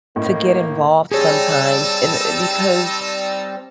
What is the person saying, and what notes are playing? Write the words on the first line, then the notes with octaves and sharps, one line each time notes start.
to get involved sometimes in uh, because
A2 A#3 D#5
G3 C4 D#4 G#4 C#5 A5 E6